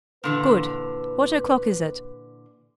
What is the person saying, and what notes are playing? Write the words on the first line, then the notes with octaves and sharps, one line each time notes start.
"Good; what o'clock is it?"
A#2 D3 E3 B4